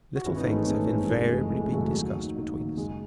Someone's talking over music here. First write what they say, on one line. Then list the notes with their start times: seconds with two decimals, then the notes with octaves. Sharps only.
Little things have invariably been discussed between us.
0.16 F#4
0.25 G#1 C#4 E4
0.36 B3 D#4
0.46 G#2 A3 C#4
0.51 E3
0.57 G#3
0.67 G#1 A3
0.75 G#3
0.85 G#2 E3 A3
0.94 G#3
1.04 A3
1.10 F#1 G#3
1.23 A3
1.30 F#2 C#3 E3 G#3
1.51 F#1
1.61 G#3
1.72 F#2 C#3 E3 F#3 A3
1.82 G#3
1.93 D#2 F#3
2.13 D#3
2.35 D#2
2.56 D#3
2.77 F#1 G#3